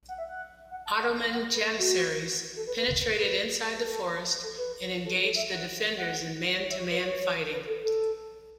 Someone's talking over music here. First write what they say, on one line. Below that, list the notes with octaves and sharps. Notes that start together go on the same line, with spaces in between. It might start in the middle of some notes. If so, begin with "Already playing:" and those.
Ottoman janissaries penetrated inside the forest and engaged the defenders in man-to-man fighting.
F#5
E5
F#5
F#5
A5
F#5
F#5
B4
A4
F#4
A4
B4
B4
B4
A4
A4
B4
A4
F#4
A4
E5
F#5
F#5
C#5
E5
C#5
B4
C#5
B4
A4
A4